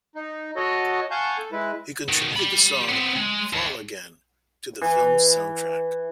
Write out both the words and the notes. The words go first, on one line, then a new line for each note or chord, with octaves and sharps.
He contributed the song "Fall Again" to the film's soundtrack.
D#4
F#4 A4 C#5 D#5
F5 F#5 G#5 A5 C#6 G6
A4
G#3 E4 B4
B2 D#3
G4 B5
B3 C4
G#3
D#2
E3